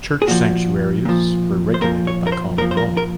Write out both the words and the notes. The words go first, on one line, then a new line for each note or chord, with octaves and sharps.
Church sanctuaries were regulated by common law.
G#4
A#2 F3 F#4
A#2 F3
C5
A#2 F3 A#4
C#5
A#4
C5
A#2 F3 A#4
C5
A#4
A#4